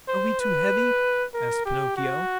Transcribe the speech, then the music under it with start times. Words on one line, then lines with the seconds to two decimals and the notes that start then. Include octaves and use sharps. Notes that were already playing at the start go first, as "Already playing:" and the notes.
"Are we too heavy?" asked Pinocchio.
0.08 C5
0.40 B4
1.34 A#4
1.66 G4
1.97 F#4